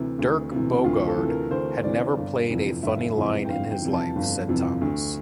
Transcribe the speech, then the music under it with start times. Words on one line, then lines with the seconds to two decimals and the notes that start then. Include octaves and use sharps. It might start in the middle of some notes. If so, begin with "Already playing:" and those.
Dirk Bogarde... had never played a funny line in his life, said Thomas.
Already playing: D2 C3 E3 E4
0.19 D2
0.51 C3 E3
0.84 D2 F4
1.07 A4
1.18 C3 E3
1.29 A#4
1.51 D2 C5
1.83 C3 E3 D5
2.16 G1
2.50 F2 C3 E3
2.83 G1 E5
3.16 F2 C3 E3
3.45 G5
3.49 G1 F5
3.71 G5
3.82 F2 C3 E3
3.93 A5
4.16 G1
4.48 F2 C3 E3
4.81 D2